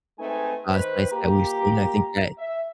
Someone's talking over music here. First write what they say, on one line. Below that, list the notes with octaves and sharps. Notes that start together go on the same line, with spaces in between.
uh, sites that we've seen, I think that,
G#3 A3 C4 D#4 B4 G#5
D#3 B4 C5
A#2 A#3 G4 A#5
E5